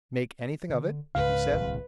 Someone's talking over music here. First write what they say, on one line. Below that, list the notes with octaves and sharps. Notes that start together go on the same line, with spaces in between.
"Make anything of it?" he said.
D3
C#2 G#2 C#3 B4 F5
D1 C2 A#2